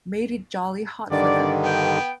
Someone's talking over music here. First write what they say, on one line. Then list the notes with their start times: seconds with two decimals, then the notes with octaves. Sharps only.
Made it jolly hot for them!
1.10 G2 D3 D#3 D5
1.63 B3 G5